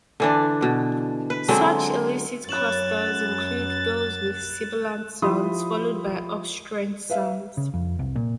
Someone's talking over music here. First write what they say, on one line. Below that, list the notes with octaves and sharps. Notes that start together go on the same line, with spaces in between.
Such illicit clusters include those with sibilant sounds followed by obstruent sounds.
D3 E3 D4
B2
B4
D3 F#3 G#3 C4
F#2 C#5 B5 F#6 A6 E7 F#7
F3 E4 G4 B5 C6 D#6
B4 E5 F5
C#3
F2
C2
A#2